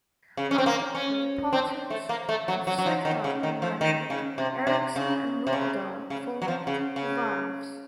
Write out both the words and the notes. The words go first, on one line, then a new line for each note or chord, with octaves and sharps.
After the departures of Sweetheart and Magri, Ericson and Nordahl formed The Vibes.
C#3
C#4
C4
A#3
C#4
C4
A3
A#3
A3
F#3
F#3
F#3
F3
D#3
C#3
D#3
F3
D#3
C#3
C3
C3
C#3
C3
C#3
C#3
F#3
F3
C#3
C#3